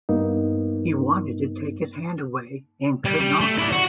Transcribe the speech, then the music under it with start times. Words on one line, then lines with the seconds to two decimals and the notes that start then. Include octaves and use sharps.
He wanted to take his hand away, and could not.
0.09 G2 A#3 B3 D#4
3.05 G3
3.21 G3
3.41 A3
3.58 E4 D5
3.72 F#4